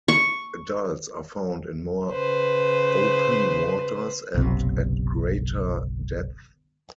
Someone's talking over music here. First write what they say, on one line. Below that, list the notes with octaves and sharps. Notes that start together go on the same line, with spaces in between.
Adults are found in more open waters and at greater depth.
C#6
C#3 B4 C5
F#1 B1 C3